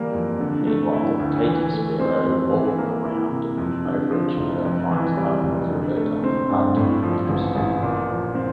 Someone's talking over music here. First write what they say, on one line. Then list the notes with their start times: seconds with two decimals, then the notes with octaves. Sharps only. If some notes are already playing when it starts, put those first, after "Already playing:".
Meanwhile, Kate Aspero, all-around overachiever, finds love with Roberta, a part-time waitress.
Already playing: E3 G3 A#3
0.13 F2
0.40 D3
0.67 A3
0.93 E4
1.20 D2
1.45 E3
1.73 A3
2.00 C4
2.25 F2
2.51 E3
2.78 A#3
3.05 E4
3.31 C3
3.58 F2
3.85 D3
4.11 F3
4.37 F1
4.65 F2
4.91 E3
5.17 G3
5.44 F1
5.70 D3
5.96 A3
6.24 C4
6.50 G2
6.76 A2
7.03 F3
7.29 A1
7.56 A1
7.82 A#2
8.09 F3
8.35 C4